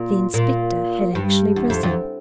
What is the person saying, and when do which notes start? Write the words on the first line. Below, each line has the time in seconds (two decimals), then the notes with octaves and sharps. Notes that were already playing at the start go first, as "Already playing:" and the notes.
The inspector had actually risen.
Already playing: A#2
0.34 A#2
1.15 G2
1.56 E2
1.70 F2
1.83 F2